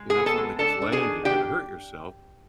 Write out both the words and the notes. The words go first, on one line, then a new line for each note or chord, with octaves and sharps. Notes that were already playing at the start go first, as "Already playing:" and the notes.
you know, it's not like it's land, and you're gonna hurt yourself."
Already playing: G#3
G#4 G#5
B3
A4 A5
G#3
D4 A4 A5
D4
G#4 G#5
D#3
D4 G4 G5